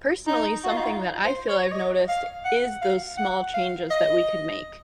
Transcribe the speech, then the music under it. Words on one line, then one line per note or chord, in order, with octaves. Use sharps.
Personally, something that I feel I've noticed is those small changes that we could make,
D#4
F#4
F4
D#4
F4
C5
C#5
C#5
D#5
F5
F#5
F5
F#5
F5
D#5